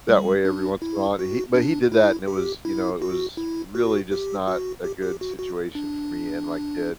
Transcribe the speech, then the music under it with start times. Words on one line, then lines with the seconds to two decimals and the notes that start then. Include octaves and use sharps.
that way every once in while, but he but he did that, and it was you know, it was really just not a good situation for me and my kid.
0.09 G3
0.45 D4
0.82 E4
1.19 F#4
1.54 D4
1.92 E4
2.28 G4
2.65 E4
3.02 F#4
3.37 E4
3.75 F#4
4.12 G4
4.48 F#4
4.84 G4
5.02 G4
5.21 F#4
5.39 F#4
5.75 D4